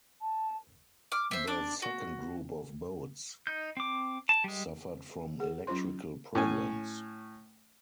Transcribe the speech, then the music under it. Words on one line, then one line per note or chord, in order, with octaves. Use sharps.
The second group of boats suffered from electrical problems.
A5
D6 F6
C5 E5
D4 D6
F#4
D#4 G6
C4 D6
A5
G3 G#3
G#4 F#5
F#3 C#4 F4 C5 C6
A2 C#4 G#5